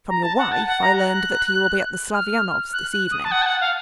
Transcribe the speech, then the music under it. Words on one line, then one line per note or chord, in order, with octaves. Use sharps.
From your wife I learned that you will be at the Slavyanovs' this evening.
A#5
A5
F#5
A5
F#5
A#5
F#6
F6
F#6
F#6
D#6
A5
F#5
A5
F#5
F5